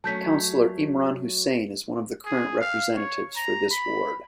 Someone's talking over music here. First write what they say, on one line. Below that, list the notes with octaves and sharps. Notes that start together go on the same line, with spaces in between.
Councillor Imran Hussain is one of the current representatives for this ward.
F#3 A3 C#4 A5 G6 B6
G#4
F5
C#5
A#5
B5